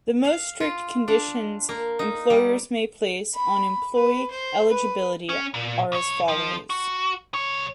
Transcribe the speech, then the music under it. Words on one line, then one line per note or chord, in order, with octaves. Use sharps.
The most strict conditions employers may place on employee eligibility are as follows.
F5
F4
D4
A#3
D#4
G3
B5
B4
C5
B4
C#4
A#2
B1 C#5
F3
F#4
C2 C#5